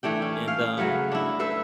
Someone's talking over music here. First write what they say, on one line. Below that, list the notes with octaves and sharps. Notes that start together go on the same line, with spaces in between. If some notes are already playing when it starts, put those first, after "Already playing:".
And um
E3 A3 D4 G5
C#4
F5
C#3 F#3 A3 B4
D4 E4
A4 B4 C5 E5